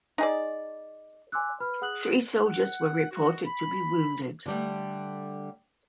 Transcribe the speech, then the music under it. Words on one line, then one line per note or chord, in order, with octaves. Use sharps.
Three soldiers were reported to be wounded.
D#4 G#4 D5
G#5 C6 D6 E6 F#6
B4 B5 F6
G#4 F#5 D#6 F#6 F#7
F#5
F#4
B5
D3 G3 A3